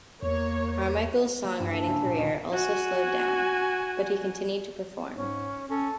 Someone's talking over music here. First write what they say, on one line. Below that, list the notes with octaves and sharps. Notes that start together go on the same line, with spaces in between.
Carmichael's songwriting career also slowed down, but he continued to perform.
E2 A#3 C#5
A#3
G2
A4
C#2
A#2
D2
F#4 G#5
G#2 C#4
C#4 A4